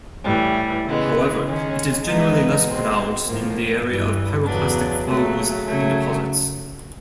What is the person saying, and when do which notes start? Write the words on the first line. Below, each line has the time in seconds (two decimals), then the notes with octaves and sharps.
However, it is generally less pronounced in the area of pyroclastic flows and deposits.
0.25 A2 E3 G3
0.86 C#3 E3 G#3 B3
1.45 D#3 G#3 C#4
2.05 E3 G#3 B3 D#4
2.65 B2 G#3 C4
3.26 A2 F3 A#3
3.86 G2 E3 G3
4.46 E2 C#3 F#3 B3 D4
5.06 C#3 F#3 A3
5.67 C#3 F#3 A3